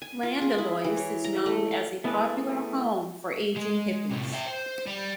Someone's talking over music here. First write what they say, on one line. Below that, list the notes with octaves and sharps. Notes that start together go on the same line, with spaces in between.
Llanidloes is known as a popular home for ageing hippies.
G#5
F4
G#4
E4
E3
C#5
A#5
A3
F5
A3 B3 E4 G#4 A4 B4
G#3
A2 C3
E5 G5
C5
G3